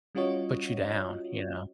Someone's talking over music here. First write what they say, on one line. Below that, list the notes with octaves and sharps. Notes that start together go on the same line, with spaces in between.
put you down, you know?
G3 C#4 F4 F#4 C#5 D#5